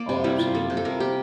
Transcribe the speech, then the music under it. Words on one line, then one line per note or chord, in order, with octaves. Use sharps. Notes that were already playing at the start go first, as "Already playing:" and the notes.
Oh, absolutely.
Already playing: A#3 D5
C3
G3 E4
C3 F4
A#3 A4
C3
A4
G3 A#4
C3 G4